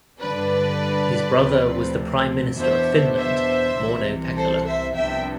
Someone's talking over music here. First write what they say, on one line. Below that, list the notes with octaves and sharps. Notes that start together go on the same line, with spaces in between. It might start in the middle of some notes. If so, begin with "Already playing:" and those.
His brother was the Prime Minister of Finland Mauno Pekkala.
G2 D3 G3 D4 B4 D5
D2 C3 F3 C4
E2 B2 B3 D4 C5 E5
C5 E5
C2 C3 E3
A4 C5
C5 E5
C2 C3 F3 B3 D4 E5 G5